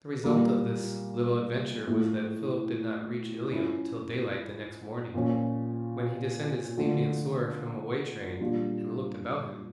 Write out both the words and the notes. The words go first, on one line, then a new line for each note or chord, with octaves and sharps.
The result of this little adventure was that Philip did not reach Ilium till daylight the next morning, when he descended sleepy and sore, from a way train, and looked about him.
A#2 G3 A#3
A2 F3 A3
F3 C#4 E4
A#2 F3 C#4
D3 F3 A3
A#2 G3 D4 F4